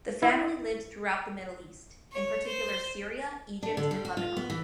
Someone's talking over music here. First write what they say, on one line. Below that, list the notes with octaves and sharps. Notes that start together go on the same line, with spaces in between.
The family lived throughout the Middle East, in particular Syria, Egypt, and Lebanon.
E4
C#5
C5
D4
D3
G3
F#4
F4
B3
E3